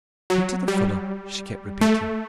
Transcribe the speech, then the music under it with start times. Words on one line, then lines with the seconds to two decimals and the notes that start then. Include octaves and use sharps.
"Peter the fuller!" she kept repeating.
0.30 F#3
0.68 G3
1.81 A3